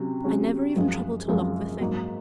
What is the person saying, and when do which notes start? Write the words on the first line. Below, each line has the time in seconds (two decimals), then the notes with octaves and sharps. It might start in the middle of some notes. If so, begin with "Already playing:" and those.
I never even trouble to lock the thing.
Already playing: C3 F#3 C#4
0.24 C3 F#3 C#4 G#4
0.76 F#2 F3 G#3
1.28 F#2 F3 G#3
1.79 G#2 F#3 A#3